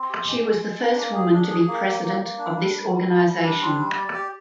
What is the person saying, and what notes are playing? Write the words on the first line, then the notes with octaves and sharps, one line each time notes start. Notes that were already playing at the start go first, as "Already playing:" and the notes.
She was the first woman to be president of this organization.
Already playing: C4
G4
G#3
G#3
G#3
D4
A#3
G#4
D4
G#4
A#3
A#3
A#3
A#3
D4
G3
G3
G3
G3
G3
D4
C4
G3
D5
G4